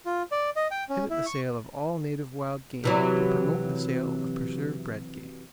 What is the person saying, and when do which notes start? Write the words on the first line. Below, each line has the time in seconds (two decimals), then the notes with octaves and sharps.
Prohibit the sale of all native wild game; but promote the sale of preserve-bred game.
0.06 F4
0.32 D5
0.56 D#5
0.71 G5
0.89 C#4
1.10 E4
1.26 C#6
2.84 C3 E3 F#3